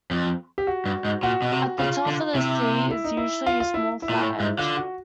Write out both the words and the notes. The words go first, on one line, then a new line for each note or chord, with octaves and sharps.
At the top of the "C" is usually a small flat edge.
F2
G4
F#4
G2
G#2
A#2 F#4
B2
C3
C#3 F4
D3
C3 E4
E4
D#4
E4
F4
F4
E4
E4
A#2
A2
G#2
D3 F4
F#4